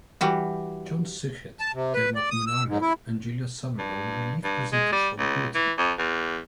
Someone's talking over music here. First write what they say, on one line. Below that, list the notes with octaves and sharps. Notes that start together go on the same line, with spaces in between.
John Suchet, Dermot Murnaghan, and Julia Somerville were relief presenters for the bulletin.
E3 G3 F#4
A5
C3
B4
D5
D#6
E6
G#2
E4
G2
G2
G#3
G3
C#2
E3
F2
E2